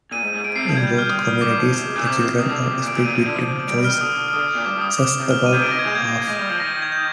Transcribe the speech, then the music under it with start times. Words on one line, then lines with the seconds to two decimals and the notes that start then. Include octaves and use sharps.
In both communities, the children are split between choices about half.
0.11 A#2 D#7
0.22 G#2
0.34 G#2
0.44 G#2 D7
0.55 C3 C7
0.66 F3 C7
0.77 G3 G#6
0.87 G6
0.98 F6
1.09 D#6
1.41 G3 D6
1.58 F3
1.74 C3
1.85 G#2
1.95 A#2
2.06 C3 D6
2.17 C3
2.39 C3 D#6
2.49 D3
2.61 D3
2.71 C3
2.81 A#2
2.87 D7
2.93 A#2
3.04 A#2 D#7
3.15 C3
3.25 D3
3.36 F3
3.68 G3 D7
3.79 G3
3.84 F6
3.90 D#3
4.01 D3 D#6
4.29 F6
4.33 D3 D#6
4.55 A#2
4.65 G2 D6
4.77 G2
4.81 D#6
4.98 D6
5.20 C3
5.30 G#2 F6
5.41 G2 D#7
5.52 G#2
5.62 C3 D7
5.71 A#6
5.74 D#3
5.79 G#6
5.85 G#3 G6
5.95 A#3 G#6
6.27 G#3 A#6
6.39 G3
6.49 F3
6.60 D#3 A#6
6.82 G#6
6.92 G6